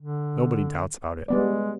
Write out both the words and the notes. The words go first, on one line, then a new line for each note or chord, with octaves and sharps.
Nobody doubts about it.
D3
G3 G#3 B3 D5